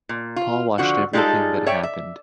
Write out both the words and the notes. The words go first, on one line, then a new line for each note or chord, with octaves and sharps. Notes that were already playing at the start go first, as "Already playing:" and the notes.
Paul watched everything that happened.
A#2
F4
D3 F3 F#4 F#5
G3 G#3 D#4 F4 G#4 A4
C#5 D5 E5 G5
E5